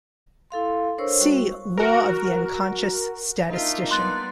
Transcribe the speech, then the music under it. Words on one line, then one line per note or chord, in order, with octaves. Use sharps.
See Law of the unconscious statistician.
E4 A4 F5 C6
D4 A#4 C5 C#5 C#6 E6
G3 F#4 C#6
F#4 A#4
A#3 D4 D#4 F4 E5
G3 B3 C6 F#6 A6